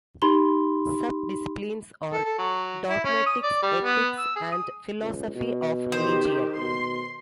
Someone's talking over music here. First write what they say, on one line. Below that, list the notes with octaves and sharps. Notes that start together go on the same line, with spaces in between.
Subdisciplines are dogmatics, ethics and philosophy of religion.
D#4 G4 B5 C6 G7
A4
A4
F#3
E4
C#4
D#6
D5
G3
B3
E6
G#4
D#6
C#2
B2
D#3 G4 C5
B2 C6